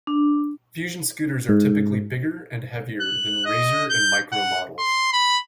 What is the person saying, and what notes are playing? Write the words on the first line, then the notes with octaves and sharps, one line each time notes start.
Fuzion scooters are typically bigger and heavier than Razor and Micro models.
D4
G#2
F#6
D#5
G6
F#5
C6
B5